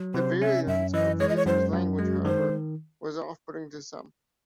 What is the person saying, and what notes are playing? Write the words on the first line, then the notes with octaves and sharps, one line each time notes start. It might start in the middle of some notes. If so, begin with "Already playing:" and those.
The virulence of Luther's language however, was off-putting to some.
Already playing: F#3
C3 C5
C#4 E5
F#2 E5
E3 D#5
G#3 C#5
D#5
C#5
F#2 C5
F#2
G#3 F#4
D#3 C5